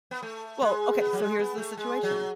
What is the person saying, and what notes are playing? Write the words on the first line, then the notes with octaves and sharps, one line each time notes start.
Well, okay, so here's the situation,
B3
A3
G#3
B3
F#3
G#3
B3
A3
G#3
F#3